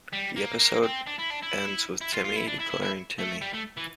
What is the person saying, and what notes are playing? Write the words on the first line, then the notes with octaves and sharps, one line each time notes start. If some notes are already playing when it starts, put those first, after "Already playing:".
The episode ends with Timmy declaring Timmy!
G3
A#3
A#3
C4
D4
E4
D4
E4
E4
F4
F4
E4
D4
E4
E4
E4
A3
G3
A3
E3